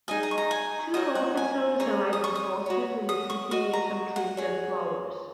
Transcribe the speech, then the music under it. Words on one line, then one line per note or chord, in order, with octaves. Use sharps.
Two officers are riding horses in the city near some trees and flowers.
D#4 G#4 D#5 G#5
A#5
C#6
A#5
G#5
D#4 F#4 A#4 C#5 D#5
F#5
G#5
G#4 C#5 A#5
D#6
C#6
D#6
F#4 C#5
D#6
C#6
F#4 D#5 C#6
A#5
F#5
G#4 C#5